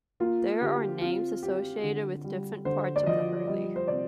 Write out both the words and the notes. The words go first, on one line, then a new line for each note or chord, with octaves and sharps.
There are names associated with different parts of the hurley.
A#3 F4
D3 G4
C4 F4
C4 G4
D3
G3
D3 C5
D5
F3 D#5
G3 D#5
C5
C3 D5